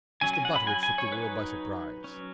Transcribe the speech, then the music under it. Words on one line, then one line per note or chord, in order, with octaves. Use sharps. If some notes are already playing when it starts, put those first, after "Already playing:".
Mr. Butteridge took the world by surprise.
F#3 C#4 G#5
G#5
F#5
B5
G#5
G#5
C#5
F#3 D#4 B4
F#3 C#4